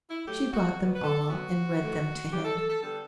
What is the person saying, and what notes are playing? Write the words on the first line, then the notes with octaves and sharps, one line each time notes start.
She brought them all, and read them to him.
E4
A2 F#3 A3 G4
F#4
B2 G3 B3
B4
A4
B2 F#3 B3 F#4
A2 E3 A3
C#3 G3 B3 G4
A4
A4
A4
D3 G3 B3 A4